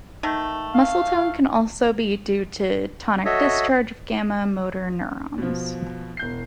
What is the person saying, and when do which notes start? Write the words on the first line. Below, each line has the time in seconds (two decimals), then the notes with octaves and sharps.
Muscle tone can also be due to tonic discharge of gamma motor neurons.
0.23 D#3 A3
0.74 F5
3.25 F#4 A4 C#5 D#5 E5
5.38 B2 F3
6.17 E1 G6 C7